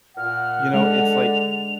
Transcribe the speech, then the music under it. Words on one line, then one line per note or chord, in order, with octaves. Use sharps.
you know, it's, like,
A#2 F#5 F6
D3 G#3 D4 F7